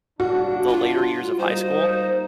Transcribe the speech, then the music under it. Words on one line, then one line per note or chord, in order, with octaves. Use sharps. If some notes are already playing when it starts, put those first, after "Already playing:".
the later years of high school,
G2 C#3 D4 F#4
F4
G3 A#3 D#4 C5